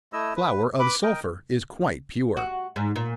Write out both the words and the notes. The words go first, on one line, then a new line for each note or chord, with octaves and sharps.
Flower of sulphur is quite pure.
A3 E4 D#5 E6
B4
B4 B5 D6
A#4 D#5 G5
F#4
G#2
A#2